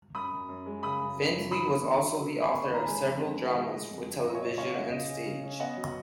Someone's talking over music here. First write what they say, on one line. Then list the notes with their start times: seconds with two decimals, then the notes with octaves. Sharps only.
Findley was also the author of several dramas for television and stage.
0.15 F#2 B5 D#6
0.32 F#2
0.49 F#2
0.66 G#3
0.83 C#3 B5 D#6
1.01 F#2
1.17 C#3
1.34 F#2
1.51 D#3 B5 D#6
1.68 A#3
1.86 D#3
2.02 F#3
2.19 F#3
2.37 A#3 G#5 B5
2.53 A#3 C#6
2.64 B5
2.70 D#3 A#5
2.85 G#3 G#5 B5
3.05 F2
3.21 G#3
3.39 D#3
3.55 G#3 D#5 F#5
3.73 G#3
3.90 F2
4.07 F2
4.23 F#3 D#5
4.35 C#5
4.41 F#3
4.46 D#5
4.57 C#3 C#5 F5
4.75 C#4 D#5 F#5
4.91 C#3 D#5
5.08 C#4
5.26 C#3
5.43 C#4
5.60 B3 D#5 F#5
5.77 F#3